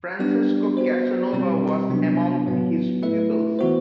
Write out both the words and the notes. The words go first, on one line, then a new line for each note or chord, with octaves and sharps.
Francesco Casanova was among his pupils.
G3 B3 D4 G4 D5
B3 F#4 C5
B2 G3 C4 G4
C3 F#3 B3 D4
A2 F#3 B3
A3 E4 B4 E5
E3 B3 F#4 C5